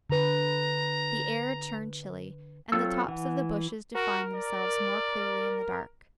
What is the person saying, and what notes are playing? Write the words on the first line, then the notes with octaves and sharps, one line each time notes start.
The air turned chilly, and the tops of the bushes defined themselves more clearly in the dark.
D3 B4 A#5
F#3 C4 F4 A4 E6
E3 F#5
F#4 A#4
D5